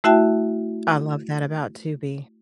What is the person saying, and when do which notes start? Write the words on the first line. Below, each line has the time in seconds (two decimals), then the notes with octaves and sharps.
I love that, about Tubi.
0.04 A3 E4 F#4 E5 G5 A5